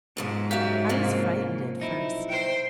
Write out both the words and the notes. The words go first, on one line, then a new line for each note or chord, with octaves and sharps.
I was frightened at first.
G#2 B2 F3 C5
F#2 F#4 G4 E5 F5
C2 C#3 F3 A#3 C4
B1 D#4 E4
C5 G5